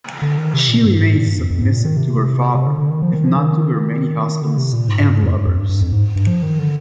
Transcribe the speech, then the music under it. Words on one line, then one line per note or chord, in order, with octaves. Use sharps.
She remains submissive to her father, if not to her many husbands and lovers.
D3
D#3
C3
A#2
G2
G#2
A#2
G2
F2
F2
G#2
A#2
D#3
C3
C3
D3
D3
D#3
F3
D#3
F3
D#3
D3
C3
A#2
G#2
G#2
G#2
F2
G2
F2
G2
G2
F2
G#2
G2
F3
D#3
D3